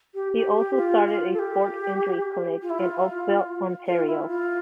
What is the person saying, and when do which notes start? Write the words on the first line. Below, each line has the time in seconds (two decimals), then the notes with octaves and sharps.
He also started a sport injury clinic in Oakville, Ontario.
0.14 G4
0.35 G4
0.56 G4
0.77 F4
1.07 F4
1.33 A4
1.39 G4
2.62 F4
2.70 E4
2.78 F4
3.86 F4
4.06 E4
4.27 F4